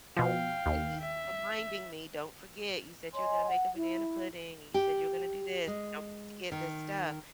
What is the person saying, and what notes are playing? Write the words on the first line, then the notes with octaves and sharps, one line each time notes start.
And he's reminding me, “Don't forget. You said you're gonna make a banana pudding and you said you're gonna do this. Don't forget to get this stuff.”
B2 F3 F5 G5
D#2
E5
C#5 D#5 G#5 C6
F#5
E4
G4
G#3
D#3